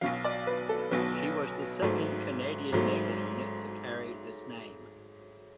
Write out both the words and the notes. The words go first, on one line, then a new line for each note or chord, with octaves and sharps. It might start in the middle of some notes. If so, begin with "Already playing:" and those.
She was the second Canadian naval unit to carry this name.
B1 B2 F#3 F5
D5
B4
A4
B1 B2 F#3 B4
G#1 G#2 F#3 A3
G#1 G#2 F#3 A3